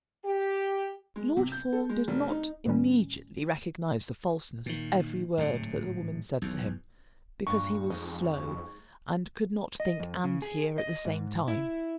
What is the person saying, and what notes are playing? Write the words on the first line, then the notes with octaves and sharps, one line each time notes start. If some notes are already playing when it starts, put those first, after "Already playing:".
Lord Fawn did not immediately recognise the falseness of every word that the woman said to him, because he was slow and could not think and hear at the same time.
G4
G#3
C3
G6
A4
G#3
F1
D#4
D2 A2 D#3 G3 C#4
A#2 D#3
D1 G#2 C3
B1 E2
G2 A#2 C#6
F2 G#3 D#4
D#5
F2
C#3
G#4
D#5
G#2
E4